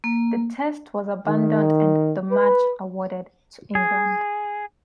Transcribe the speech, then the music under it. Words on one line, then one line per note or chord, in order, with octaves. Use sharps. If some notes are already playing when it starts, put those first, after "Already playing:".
The Test was abandoned and the match awarded to England.
A#3
D#3
B4
G#4